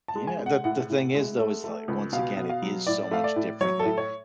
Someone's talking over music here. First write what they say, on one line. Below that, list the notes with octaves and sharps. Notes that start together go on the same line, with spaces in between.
Yeah. The the thing is, though, is that, once again, it is so much different. Like,
A5
G#3
G#5
G#3
F#5
A2 F#5
A2
G#3
A3
A3
C#2
B2 F5
B2
F5
F#3
A2 D5
A3 F5
D5
A2
F#3 C#5
A4
A2
C#5